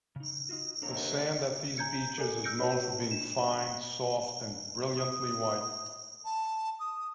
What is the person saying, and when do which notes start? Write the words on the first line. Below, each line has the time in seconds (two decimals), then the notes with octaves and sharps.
The sand at these beaches is known for being fine, soft, and brilliantly white.
0.16 C#3 D#4
0.49 D#4 F4 F#4
0.82 D#2 C3 D4 A4 A#5
1.78 G#5 A#5 G6 G#6 C#7
2.18 A4 A#4 D5 G#5
2.44 E6 F6 G6 A#6 C#7 D7
2.58 D#4 F#4 B4 C#5 A5
3.10 D4 E7
4.98 D#6
6.25 A5
6.80 D#6